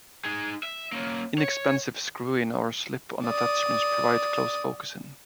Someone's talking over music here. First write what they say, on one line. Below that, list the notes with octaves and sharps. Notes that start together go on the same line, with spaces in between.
Inexpensive screw-in or slip-on attachments provide close focusing.
D#4 G#4
E5
A#3 C#4
C#5
D5 D#6